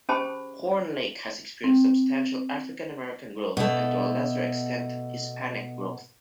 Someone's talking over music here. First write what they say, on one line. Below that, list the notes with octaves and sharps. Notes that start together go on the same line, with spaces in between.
Horn Lake has experienced substantial African-American growth and to a lesser extent Hispanic growth.
C#4 G4 G#4 C5 A5 B5
C4
B2 A3